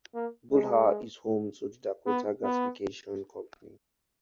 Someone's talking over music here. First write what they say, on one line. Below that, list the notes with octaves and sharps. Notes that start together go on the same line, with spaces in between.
Beulah is home to the Dakota Gasification Company.
A#3
G#3
B3
B3